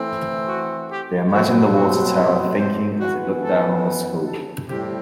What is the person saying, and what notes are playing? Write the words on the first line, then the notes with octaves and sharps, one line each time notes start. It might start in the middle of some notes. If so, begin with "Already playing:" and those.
They imagined the water tower thinking as it looked down on the school.
Already playing: E3 A3 C4
F#4
G4
B2 F#3 C4 F#4
F#4
E4
C5
E3 B3 F#4
A4
A4
A2 G3 C4 G4